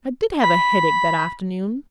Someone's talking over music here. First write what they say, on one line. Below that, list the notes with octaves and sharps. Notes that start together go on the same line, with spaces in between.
I did have a headache that afternoon.
B5